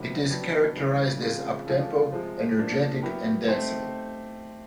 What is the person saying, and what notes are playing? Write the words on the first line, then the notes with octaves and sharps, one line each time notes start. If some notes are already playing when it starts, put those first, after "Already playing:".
It is characterized as uptempo, energetic, and danceable.
Already playing: C3 D#3 F#3 B3
F#3 B3 D4 G4
C#3 E3 G3
C#3 F3 G#3 C4 F4
F3 G#3 C4 F4 A4
C3 F3 G#3
A#2 F3 A#3 D4
F#3 B3 E4 G4 A#4
A3 C4 D#4 G4 C5